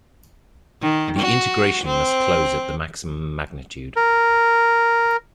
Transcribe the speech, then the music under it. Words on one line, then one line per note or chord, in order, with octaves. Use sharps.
The integration must close at the maximum magnitude.
D#3
F#4
C4
A#4